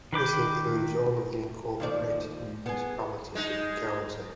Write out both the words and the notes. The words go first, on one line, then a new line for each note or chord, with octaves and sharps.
This includes all of the incorporated municipalities in the county.
D#3 B4 D6 G6
D#2 F3 D5
B3 G#4
G#3 D#4